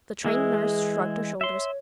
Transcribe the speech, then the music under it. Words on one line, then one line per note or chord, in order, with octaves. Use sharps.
The Trained Nurse shrugged her shoulders.
E3 G#3 E4 G#4
C#5 E5 C6